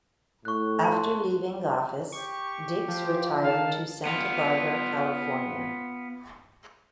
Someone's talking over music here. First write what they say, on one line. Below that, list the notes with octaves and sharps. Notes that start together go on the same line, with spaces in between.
After leaving office Dix retired to Santa Barbara, California.
A2 C#6 F#6
A5 C6
G4 C#6
F3
D#3 F5 A5
B3 F4